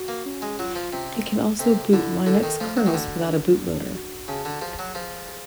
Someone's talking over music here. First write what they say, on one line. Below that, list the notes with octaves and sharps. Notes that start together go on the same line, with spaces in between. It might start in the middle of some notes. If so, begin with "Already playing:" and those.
It can also boot Linux kernels without a bootloader.
Already playing: F#4
A#3
C#4
G#3
F#3 F4
F3
C3 C#4
A#3
C3 A4
D3 E4
D3 A4
D#3
F3 A3
F#3
D#3
D3 F#4
D4
D4
F#4
C#3 A5
D3
F3 G#4
F#3
F3 G#4
G#4